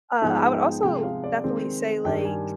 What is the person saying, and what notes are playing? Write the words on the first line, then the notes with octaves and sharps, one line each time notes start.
Uh, I would also definitely say, like,
G#2 F3 B3 D#4 G#4
G5
C3 F3 G#3 G5
F5
D5
D#3 G#3 C4
G2 D#3 G3 D4 G5
G#5